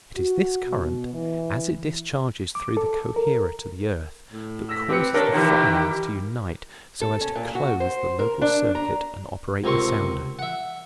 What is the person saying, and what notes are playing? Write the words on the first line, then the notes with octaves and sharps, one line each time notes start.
It is this current, as it discharges through the coherer to the earth, that causes the filings to unite so as to close the local circuit and operate the sounder.
F#4
B2
E3
D6
A4
A#4
A2
E6 A#6 B6
C4 G4 B4 C#7
A3 D4 A4 A#4 C#5 A#6
B2 D#3 E3 G4
A4
C#4
A#2
F#4
C5
A#4
D4
A#5
C#2 C3 A#4 C6 C#6
E5 F#5